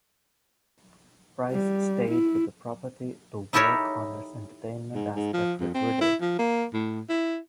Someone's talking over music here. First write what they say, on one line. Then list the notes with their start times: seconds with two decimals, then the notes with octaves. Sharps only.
Rice stayed with the property to work on its entertainment aspect with Riddle.
1.51 G3
2.11 E4
3.53 D#4 E4 G4 A4 A#4 C#5
4.94 G#2
5.15 G#2
5.34 F3
5.60 F2
5.75 C4
6.01 E4
6.21 F3
6.39 A#3
6.74 A2
7.09 E4